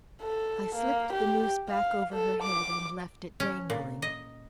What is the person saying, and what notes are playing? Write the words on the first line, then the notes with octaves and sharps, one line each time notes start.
I slipped the noose back over her head and left it dangling.
A4
A#3
G4
F5
A4
D6
C#4
A#2
D#5